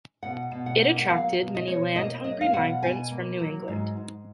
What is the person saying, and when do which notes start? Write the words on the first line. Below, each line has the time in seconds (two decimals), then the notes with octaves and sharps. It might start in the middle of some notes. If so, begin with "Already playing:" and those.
It attracted many land-hungry migrants from New England.
0.23 B2 F#5
0.51 B2
0.66 F#5
0.81 A#3
0.98 F#5
1.09 F#3 F5
1.38 B2
1.55 D#5
1.67 B2 C#5
1.96 A#3 D#5
2.24 F#3 D#5
2.41 F5
2.53 B2 F#5
2.82 B2 G#5
3.11 A#3
3.40 F#3
3.68 G#2
3.97 G#2